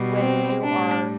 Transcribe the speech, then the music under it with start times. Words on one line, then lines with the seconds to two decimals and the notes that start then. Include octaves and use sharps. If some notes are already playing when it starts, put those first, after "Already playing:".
when you are
Already playing: B2 G3
0.20 C4
0.63 A2 G3 D4